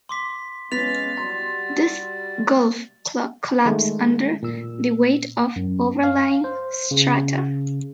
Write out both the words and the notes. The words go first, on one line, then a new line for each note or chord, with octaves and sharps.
This goaf collapses under the weight of the overlying strata.
C6 D6 B6
G#3 B3 C#4 F5 A6 B6 F7
G3 F#4 C6
D#3 G#3 A3
A#2 E6
F#2
F5
C5
C#3